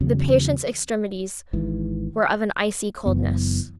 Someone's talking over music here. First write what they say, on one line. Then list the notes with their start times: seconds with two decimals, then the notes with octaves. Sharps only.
The patient's extremities were of an icy coldness.
0.01 E2 C#3 F#3
1.53 G#1 G#2 E3
3.06 F#1 F#2 E3 B3